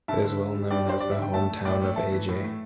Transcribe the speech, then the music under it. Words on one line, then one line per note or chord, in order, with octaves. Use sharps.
It is well known as the home town of a J.
G2 E5 A5
D3
D3
G3
G2 D5 G5
G2 C5
G3 D5
E5
D3 G5
A3 E5 A5
A3
A2 D5 G5
A3
A3 E5 A5
E3
A2
A3